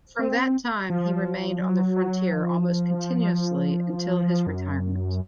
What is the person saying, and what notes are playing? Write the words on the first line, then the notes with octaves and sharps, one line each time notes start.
From that time he remained on the frontier almost continuously until his retirement.
C4
F3
F#3
F3
F#2